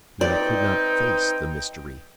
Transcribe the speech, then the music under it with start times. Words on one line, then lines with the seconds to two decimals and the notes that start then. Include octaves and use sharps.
Yet I could not face the mystery.
0.21 C4 D#4 B4 D5 G5